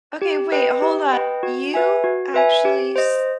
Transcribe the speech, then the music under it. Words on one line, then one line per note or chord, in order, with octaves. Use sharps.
Okay, wait, hold on. You actually s
G4
B4 D#5 G5
G4
B4 D#5 G5
F#4
B4 E5 G#5
F#4
B4 E5 G#5
G4
C5 D#5